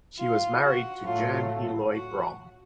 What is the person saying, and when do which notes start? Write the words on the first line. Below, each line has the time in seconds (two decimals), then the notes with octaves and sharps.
She was married to Jan Eloy Brom.
0.19 F4
0.62 F#4
1.05 A2 F#3 A3 F4
1.92 F#4